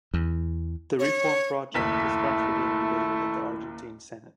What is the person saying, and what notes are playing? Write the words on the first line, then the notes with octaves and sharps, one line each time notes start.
The reform project is currently being debated in the Argentine Senate.
E2
C#5
F#1 D#2 A3 E4 B6